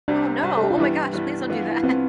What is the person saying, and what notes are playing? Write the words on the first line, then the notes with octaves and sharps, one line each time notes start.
Oh, no. Oh my gosh please don't do that.
C2 C3 G3 D4
C2 C3 G3
A4
G4
F4
G2 E3 G3 B3 E4
G2 E3 G3 B3
G2 E3 B3 F4
G2 E3 B3 C4 F4